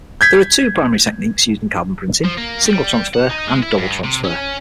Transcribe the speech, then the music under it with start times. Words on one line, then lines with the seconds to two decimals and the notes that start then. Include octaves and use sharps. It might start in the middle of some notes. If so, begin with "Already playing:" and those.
There are two primary techniques used in carbon printing: single transfer and double transfer.
0.21 G6 G#6 B6
2.24 F3
2.38 A#3
2.66 G3
3.14 F#5
3.29 D#4
3.47 G#3
3.63 E4
3.78 G2
4.04 C3
4.24 C#4